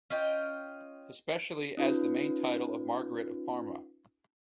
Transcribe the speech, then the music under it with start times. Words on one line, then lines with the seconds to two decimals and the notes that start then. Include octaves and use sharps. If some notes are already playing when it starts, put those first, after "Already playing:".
Especially as the main title of Margaret of Parma.
0.10 C#4 F4 D#5 G5
1.77 C#4 D#4 F4 B4